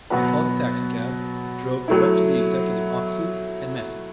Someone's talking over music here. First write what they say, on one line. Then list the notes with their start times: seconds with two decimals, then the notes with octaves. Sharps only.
I called a taxicab, drove direct to the executive offices and met him.
0.10 B2 F#3 B3 F#4 B4
1.88 F#3 A3 E4